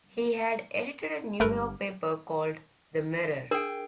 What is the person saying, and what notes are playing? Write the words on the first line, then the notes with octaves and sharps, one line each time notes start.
He had edited a New York paper called "The Mirror".
G1 G2 A3 A#4 B4
D4 G#4 A#4 G5